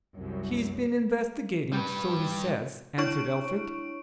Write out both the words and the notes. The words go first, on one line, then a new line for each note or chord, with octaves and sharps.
"He's been investigating--so he says," answered Elphick.
C2 F#2
G3 B4
D4 E4 C#5 C#6 D7